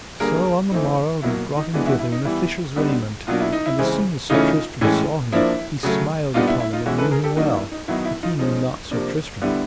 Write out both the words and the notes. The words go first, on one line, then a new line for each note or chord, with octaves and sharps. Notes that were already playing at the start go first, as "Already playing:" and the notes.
So on the morrow they brought him thither in a fisher's raiment; and as soon as Sir Tristram saw him he smiled upon him and knew him well, but he knew not Sir Tristram.
D3 G3 A#3 G#4 A#4
E3 A3 C4 D#4
B2 F#3 A#3 E4
D#4
E3 G#3 B3 D4
E4 F#4
E4
D#4
E3 G3 B3 E4
D3 G3 B3 D#4
B2 F#3 A#3 D4 F4
E4
D#4
E4
C#3 E3 G#3 C4
C#3 E3 A3 C#4 D#4 F4
A2 E3 G#3 C#4
F3 A#3 D4 E4
C#3 F#3 A3
A#2 G3 B3 D4 D#4 F4
E4
E4
D#4 F4
E3 G#3 C#4 E4 F#4
A4 B4
G#4 A#4
G4 A4
D#3 F#3 A#3 D4 D#4
E4
D#4
D#3 F#3 B3 D#4 E4
E4
D#4 F4
F3 G#3 C#4 D#4
C3 F3 A#3 D4
D3 G3 B3 E4